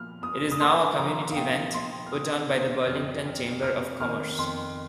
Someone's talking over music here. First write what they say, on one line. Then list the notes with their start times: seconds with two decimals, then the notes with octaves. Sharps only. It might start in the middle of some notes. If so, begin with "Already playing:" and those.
It is now a community event put on by the Burlington Chamber of Commerce.
Already playing: A#2 F3 F6
0.22 A#2 D#6
0.51 D#6
0.61 A#3 C6
0.98 F3 A#5
1.32 F5
1.36 A#2 G5
1.73 A#2 C6
2.06 F6
2.12 C4 D#6
2.49 D#3 G6
2.87 F2 F6
3.24 F2
3.62 C4 F6
4.00 D#3 F6
4.38 F2 C6